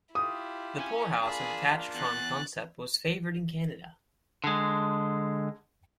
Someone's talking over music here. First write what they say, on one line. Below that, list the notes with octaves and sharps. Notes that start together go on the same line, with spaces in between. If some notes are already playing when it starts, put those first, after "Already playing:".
The poorhouse with attached farm concept was favored in Canada.
E4 F4 G4 D#6
C#4 G#5
A#3 D4 F4 G#4 A5 B5
E2 F#6 A6
D3 G#3